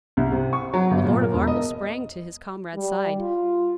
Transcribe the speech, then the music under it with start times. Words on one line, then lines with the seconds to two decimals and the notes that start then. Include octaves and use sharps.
The Lord of Arkell sprang to his comrade's side.
0.17 C2
0.32 C3
0.53 C#6
0.74 F#3
0.91 G1
1.06 A#2
1.22 A#4
1.33 E1
1.47 D#5
2.75 G3
3.20 F4